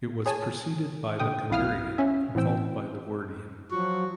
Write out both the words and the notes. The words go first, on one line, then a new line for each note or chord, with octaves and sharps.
It was preceded by the Kungurian and followed by the Wordian.
G#4 C#5 G#5 A5
A#2 D3 G5 D#6
B1 F2 E4 F5 D#6 F6
C#4 E5
A2 E3 C4 G5 E6
F3 F#3 F#4